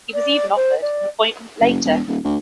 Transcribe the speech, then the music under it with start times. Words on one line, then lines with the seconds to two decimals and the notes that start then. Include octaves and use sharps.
He was even offered an appointment later.
0.14 D5
0.56 C5
0.82 D5
1.61 F#1
1.85 E1
2.08 D#1
2.25 D2